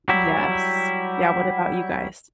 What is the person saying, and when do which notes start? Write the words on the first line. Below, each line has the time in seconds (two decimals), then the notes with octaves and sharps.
Yes. Yeah. What about you guys?
0.09 F#3 G3 E4